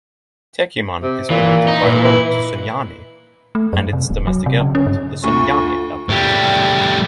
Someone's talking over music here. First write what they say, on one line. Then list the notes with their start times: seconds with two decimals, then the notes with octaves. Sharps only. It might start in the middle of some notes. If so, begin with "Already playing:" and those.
Techiman is connected by road to Sunyani and its domestic airport, the Sunyani Airport.
1.02 C3
1.30 A#2 E3
1.68 D#4
1.84 A#2 E3
2.05 E3
3.55 A3
3.73 F#2
3.93 C3
4.10 D1
4.27 F#3
4.46 C3
4.61 C#3
4.75 C#4
4.86 G2
5.24 D2 F4 C#6
6.09 A2 G3